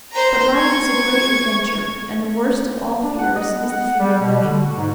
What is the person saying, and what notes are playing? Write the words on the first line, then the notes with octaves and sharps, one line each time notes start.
But life is a great adventure, and the worst of all fears is the fear of living.
C5 A#5
C#6 G#6
D4
F#5
D#5
B3
F#5
G3
B2
D3
F#4
G#2